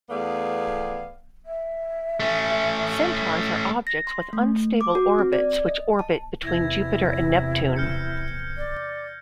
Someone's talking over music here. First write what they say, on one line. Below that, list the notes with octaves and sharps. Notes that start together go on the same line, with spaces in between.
Centaurs are objects with unstable orbits which orbit between Jupiter and Neptune.
E2 A3 B3 G#4 D5 F5
E5
A3 C#4
A#6
C6
A3
D6
F#4
C4
D5
D#5
A5
E2 C3 E4 G#6 A#6
F6 G6 C#7
D5